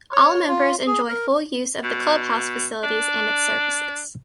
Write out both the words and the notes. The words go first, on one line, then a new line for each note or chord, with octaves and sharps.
All members enjoy full use of the clubhouse facilities and its services.
C#5
F4
G#4
A#4
B2
D4